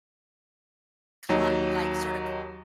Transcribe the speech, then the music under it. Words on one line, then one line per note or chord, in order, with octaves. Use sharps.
cla like, sorta
D#2 F#3 D#4